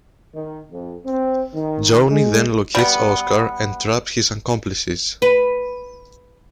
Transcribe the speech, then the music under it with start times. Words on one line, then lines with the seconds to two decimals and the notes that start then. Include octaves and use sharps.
Johnny then locates Oscar and traps his accomplices.
0.35 D#3
0.71 F2
1.06 C4
1.54 D#3
2.10 G#3
2.75 G3 B3
5.22 B4